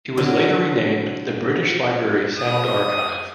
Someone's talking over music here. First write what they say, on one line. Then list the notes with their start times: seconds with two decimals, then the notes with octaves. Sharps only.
It was later renamed the British Library Sound Archive.
0.18 D3 F#3
2.37 D#6